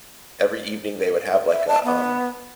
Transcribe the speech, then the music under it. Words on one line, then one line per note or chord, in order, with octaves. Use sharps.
every evening, they would have, like, a, um
E5
A5
B3